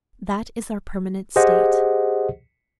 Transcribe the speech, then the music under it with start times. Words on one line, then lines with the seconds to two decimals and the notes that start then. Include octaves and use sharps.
That is our permanent state.
1.36 G4 G#4 C5 D#5 F#5